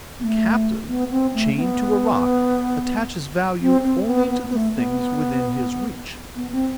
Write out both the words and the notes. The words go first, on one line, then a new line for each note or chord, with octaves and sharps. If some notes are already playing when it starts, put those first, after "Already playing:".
A captive, chained to a rock, attaches value only to the things within his reach.
B3
A3
B3
C4
A3
C4
B3
C4
C4
B3
B3
A3
B3
B3
C4